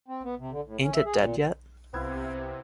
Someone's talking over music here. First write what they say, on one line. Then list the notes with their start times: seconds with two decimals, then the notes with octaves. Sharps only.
Ain't it Dead Yet?
0.08 C4
0.24 B3
0.39 C3
0.52 D3
0.67 A2
0.82 C#4
0.94 E5
1.05 G#4
1.21 A#2
1.93 C2 C3 B3 C4 E4 B4 F5 G#6